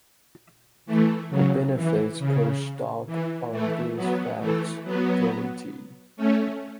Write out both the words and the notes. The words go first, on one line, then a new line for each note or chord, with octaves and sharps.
The benefits per stock are this fact’s guarantee.
E3 A3
C#3 F#3
E3
C#3
E3
E3 A3
F#3 B3
E3 A3
F#3 B3
A3 C#4